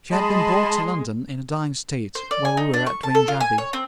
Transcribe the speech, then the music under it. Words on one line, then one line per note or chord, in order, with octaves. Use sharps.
She had been brought to London in a dying state while we were at Vange Abbey.
G#3 D#5 A5 B5 C6
C5
D5
G#5
D#4
D4
C#6
A5
A4
F4
G#5
C#5
C4